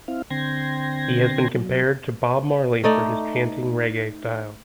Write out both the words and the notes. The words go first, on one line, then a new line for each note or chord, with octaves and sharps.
He has been compared to Bob Marley for his chanting reggae style.
C4 E4 F5
D3 C4 G5 C6 G#6 A#6
F#3
A3 D#4 D5